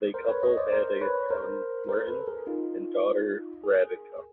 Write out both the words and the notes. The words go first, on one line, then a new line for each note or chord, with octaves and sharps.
They couple had a son, Martin, and daughter, Radka.
A#4 C5
B4 C#5
C#5 D#5
C5 D5
A#4 C5
B4 C#5
A#4 C5
A#4 C5
A4 B4
G#4 A#4
D#4 F4
G#4 A#4